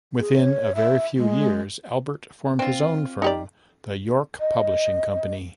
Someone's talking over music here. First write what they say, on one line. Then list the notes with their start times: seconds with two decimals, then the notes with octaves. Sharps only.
Within a very few years Albert formed his own firm, The York Publishing Company.
0.20 G#4
0.35 C#5
0.75 E5
1.17 G#3
2.59 C4 F4
3.22 D#4 G4 D5
4.40 D#5